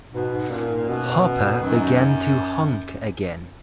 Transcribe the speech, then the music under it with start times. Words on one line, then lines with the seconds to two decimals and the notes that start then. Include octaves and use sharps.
Hopper began to honk again.
0.13 G#2 B2
0.31 G#2
0.50 F#2 A#2
0.69 G#2
0.88 F#2 B2
1.06 F2
1.25 F#2
1.44 F2
1.62 F#2 D#3 F#3